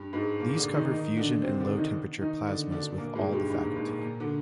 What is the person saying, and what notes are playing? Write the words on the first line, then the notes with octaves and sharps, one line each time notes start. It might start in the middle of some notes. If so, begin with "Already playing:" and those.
These cover fusion and low temperature plasmas with all the faculty.
Already playing: G2 G3
G#2 G#3
A#2 A#3
D3 D4
D#3 D#4
D#3 D#4
D3 D4
C3 C4
D3 D4
D#3 D#4
D#3 D#4
D3 D4
D3 D4
A#2 A#3
G#2 G#3
G2 G3
G#2
A#2
G#2
A#2
A#2
D3